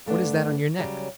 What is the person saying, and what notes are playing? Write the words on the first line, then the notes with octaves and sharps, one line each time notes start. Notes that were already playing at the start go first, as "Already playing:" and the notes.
"What is that on your neck?"
G2 A3 B3 D4
C#3 F#3 G3